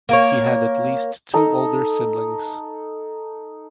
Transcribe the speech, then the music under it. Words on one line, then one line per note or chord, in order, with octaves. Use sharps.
He had at least two older siblings.
A#3 A#4 C#5
D#4 A4 A#5